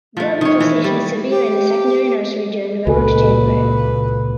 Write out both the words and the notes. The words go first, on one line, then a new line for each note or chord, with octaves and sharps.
Grub infestation is severe in the secondary nursery during November to January.
F3 A3
D#3 C#5
E3
G3
G4
C#2 A#2 F#4 A4 B4 G#5